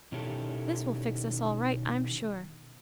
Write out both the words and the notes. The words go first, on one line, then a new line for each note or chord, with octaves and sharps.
"This will fix us all right, I'm sure."
B2 D#3 C#4 E4 G4 A4